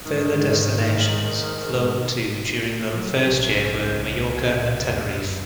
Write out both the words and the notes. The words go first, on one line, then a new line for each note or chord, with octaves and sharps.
Further destinations flown to during the first year were Majorca and Tenerife.
G#2 D#3
F#3
A#1 C#4
C#2
C#2 A#2
F#2